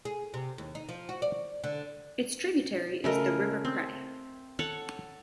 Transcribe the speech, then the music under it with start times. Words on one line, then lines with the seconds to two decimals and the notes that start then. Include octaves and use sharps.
Its tributary is the River Cray.
0.05 G#4
0.34 C3
0.58 D#2
0.75 D#4
0.89 F3
1.09 F#4
1.22 D5
1.64 D3
3.04 C#3 A3 A#4 D#5
3.65 C4
4.59 A4 C#5 F#5 A5